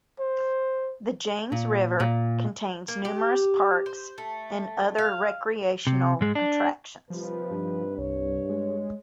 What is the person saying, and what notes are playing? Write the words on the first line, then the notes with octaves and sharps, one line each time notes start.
The James River contains numerous parks and other recreational attractions.
C5
A#2
A#2
A#3
G4
C5
A3
F5
C3
G#2 G#3
D4
D#2 C3 F3 G3 B4
G2
C2 C#5
G#3